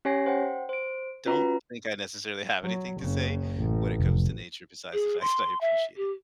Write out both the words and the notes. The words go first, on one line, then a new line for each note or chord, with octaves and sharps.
don't think I necessarily have anything to say when it comes to nature besides the fact that I appreciate it.
C#4 G4 C#5 G#5 A#6 C7
C5 F#5 G5
C5 D7
C#4 F4 F#4 B4 A#5
F#3
F#1 C#3
A1
F1
G#4
C6
E5
G4